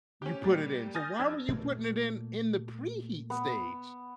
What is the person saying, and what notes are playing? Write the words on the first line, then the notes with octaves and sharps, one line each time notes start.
you put it in. So, why were you putting it in in the preheat stage?
C#4 G4
A#2 G3 G4
G#5 D#6 F6 G6 A6 A#6
F1 D4 E6 G#6
A#2 A3 A#3
B3